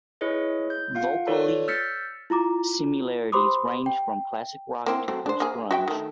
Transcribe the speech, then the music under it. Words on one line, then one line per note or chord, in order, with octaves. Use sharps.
Vocally similarities range from classic rock to post-grunge.
E4 G#4 B4 C#5 D#5
G6
F4 F5 F#5
F4 A4 B4 C#5 D5
E6 F6 G6 A6 B6 C#7
E4 F4 A#5 D6
G4 C5 B5 C6 D6 D#6
G5
A#3 C4 E4
F#3 A3 C4
D4 C5
A#3 G#4
F#4 E5 G5
D#3 A3